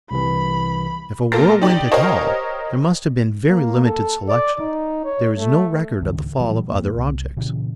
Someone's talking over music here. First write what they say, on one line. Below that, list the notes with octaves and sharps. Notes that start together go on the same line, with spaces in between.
If a whirlwind at all, there must have been very limited selection: there is no record of the fall of other objects.
C2 C3 E3 B5
A#2 F4 A4 A#4 A#6
D#4 G4 D5
G4 A#4 C5 C#5 D#5 F5
A#3
A4
D5
D#4
C#5
A3
C#2 G#2 D3 D#3
A#2 E3 F#3 G3
E2 A#3
C2
A#2 C#3 E3